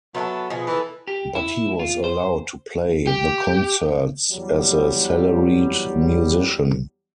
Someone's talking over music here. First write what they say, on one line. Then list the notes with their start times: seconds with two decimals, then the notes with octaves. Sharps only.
But he was allowed to play the concerts as a salaried musician.
0.15 F#3 B3 E4 A4
0.50 B2 F3 G#4
0.67 E3 B3 A4
1.08 G4
1.35 E4
1.79 F4
2.04 C5
3.07 G4
4.32 E2 F#3 G3